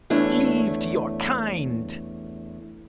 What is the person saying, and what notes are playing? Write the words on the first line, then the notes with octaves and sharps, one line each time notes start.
Cleave to your kind.
E2 A3 D4 E4 C#5